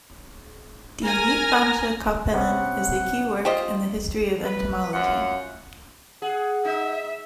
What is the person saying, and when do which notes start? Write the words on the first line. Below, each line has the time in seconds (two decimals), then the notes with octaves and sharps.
"De Uitlandsche Kapellen" is a key work in the history of entomology.
1.05 A#4 G#5 F6 A#6
2.34 C3 B3 C#4 F#5
3.45 F4 G4 C5 D#5
4.44 B4
4.93 F#2 F4 F#5
6.22 G#4 F#5
6.65 D#4 E5